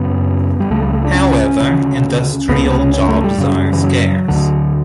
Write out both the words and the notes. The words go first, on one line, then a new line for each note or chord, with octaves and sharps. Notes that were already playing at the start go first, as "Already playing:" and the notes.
However, industrial jobs are scarce.
Already playing: F#2 C#3 B3
G3
C#2 C#3 A3
G3
A3
D4
C#4
D2 C#3
C#2 C#3 B3
B3
C#4
C#4
A3
G3
F#2 C#3
E3
F#3
D2 D3